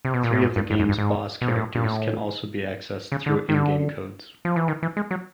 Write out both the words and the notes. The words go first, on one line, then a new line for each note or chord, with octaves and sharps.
Three of the game's boss characters can also be accessed through in-game codes.
C3
B2
A#2
A2
G#2
G2
G2
F#2
G2
G#2
B2
A#2
A2
A#2
A2
C#3
D3
D#3
D3
F3
E3
D#3
E3
G#3
F#3